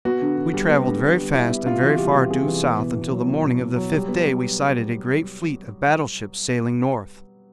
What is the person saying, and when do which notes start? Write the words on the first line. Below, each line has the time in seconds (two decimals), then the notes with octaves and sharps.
We travelled very fast and very far due south until the morning of the fifth day we sighted a great fleet of battleships sailing north.
0.05 B3 F#4
0.22 D3
0.38 D3
0.54 G3
0.69 B3
0.86 D3
1.02 D3
1.18 G3
1.34 G3 E4
1.50 B3 E4
1.66 C3 F4
1.82 E3 F#4
1.98 G3 G4
2.15 B3
2.30 C3 G#4
2.47 E3
2.63 B3
2.79 B2
2.95 B2
3.11 F#3
3.28 B3
3.44 B2
3.60 B2
3.76 F#3
3.92 G3
4.08 B3